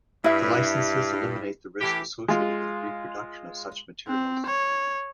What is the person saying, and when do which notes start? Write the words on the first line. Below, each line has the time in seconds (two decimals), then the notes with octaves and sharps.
The licenses eliminate the risk associated with the reproduction of such materials.
0.24 G2 E4 E5
1.80 A2 E3 G4
2.28 G#3 F4
4.07 C4
4.46 C#5